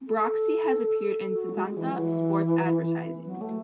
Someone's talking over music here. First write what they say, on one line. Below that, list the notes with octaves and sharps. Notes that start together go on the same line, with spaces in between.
Broxi has appeared in Setanta Sports advertising.
A4
F#4
F#3
G#3
E3
F#3
E3
F#3
A3